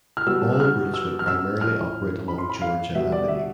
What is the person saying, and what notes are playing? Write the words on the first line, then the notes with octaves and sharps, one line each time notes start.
All routes would primarily operate along Georgia Avenue.
F6
B2 G3 E6
E6
F6
E6
F6
E6
A2 F3 F6
B5
C6
B5
F5
B2 G3 E5
D5
E5